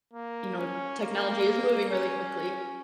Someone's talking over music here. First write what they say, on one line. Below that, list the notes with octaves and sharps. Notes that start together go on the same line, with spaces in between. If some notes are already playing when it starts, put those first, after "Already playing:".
you know, technology is moving really quickly.
A#3
C#4
A#3
C#4